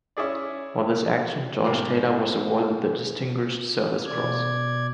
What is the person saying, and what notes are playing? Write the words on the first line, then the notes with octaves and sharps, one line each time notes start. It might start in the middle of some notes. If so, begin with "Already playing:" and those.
For this action, George Taylor was awarded the Distinguished Service Cross.
C#4 E4 G#4 D5
G#2 B2 A#4 C5 G5 D6
B2 D5 G#6